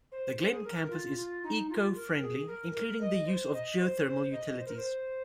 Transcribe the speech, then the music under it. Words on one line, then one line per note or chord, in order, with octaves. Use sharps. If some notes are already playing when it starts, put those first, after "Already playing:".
The Glenn Campus is eco-friendly, including the use of geo-thermal utilities.
C5
C5
G#4
A#4
F4
F4
D#4
F4
A#4
G#4
A#4
A#4
D#5
C5
D#5
C5
C5
D#5
C5
A#4
C5